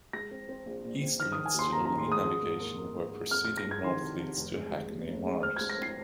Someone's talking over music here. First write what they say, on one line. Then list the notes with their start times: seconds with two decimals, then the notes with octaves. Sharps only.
East leads to the Lee Navigation where proceeding north leads to Hackney Marshes.
0.13 G#3 A#6
0.31 C4
0.49 C4
0.66 A#1
0.84 A#2
1.02 C4
1.19 D#3 F6
1.32 D#6
1.37 D#3
1.46 G#5
1.54 D#2 C6
1.72 D#2 A#5
1.85 A#5
1.90 D#3
1.98 C6
2.08 G#3 D#6
2.25 G#2
2.43 G#2
2.60 A#3
2.78 A#3
2.96 G#2
3.14 G#2
3.31 F2 F6
3.45 F6
3.49 G#3
3.58 A#6
3.66 G#3 G#6
3.84 D#3 C6
4.02 C3
4.19 C3
4.37 F1
4.55 G#3
4.72 G#3
4.90 D#2
5.08 F1
5.25 G#3
5.43 C4 F6
5.57 G#6
5.61 G#3
5.70 A#6
5.78 C4 C7